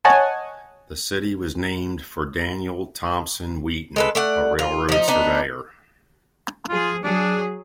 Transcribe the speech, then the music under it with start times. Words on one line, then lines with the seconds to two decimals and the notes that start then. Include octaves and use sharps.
The city was named for Daniel Thompson Wheaton, a railroad surveyor.
0.05 C#5 D#5 F#5 G#5 A5
3.96 G#3 A4 B4
4.15 A3 D5 F#5
4.59 F4
4.89 F3 D#4
5.08 B3 D4 D#4
6.69 F3 F4 G#4
7.04 F#3 D4 G#4